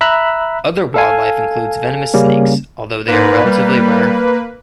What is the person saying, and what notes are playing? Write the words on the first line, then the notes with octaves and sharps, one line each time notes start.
Other wildlife includes venomous snakes, although they are relatively rare.
E5 A#5 B5 E6 F#6
A4 F5 G#5
C#3 G3 A#3 C#4
G#2 A#3 B4
G3